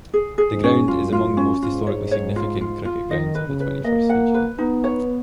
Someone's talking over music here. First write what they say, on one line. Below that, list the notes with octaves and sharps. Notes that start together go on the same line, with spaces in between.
The ground is among the most historically significant cricket grounds of the twenty-first century.
G#4
G#4
G#2
C#4
F#2 F4
F4
C#4
G#2 F4
C#5
C#5
F4
F4
F4
D#3 D#5
B4
C#3
B4
A#3 D#5
F#5
B4
B3 D#4
C#5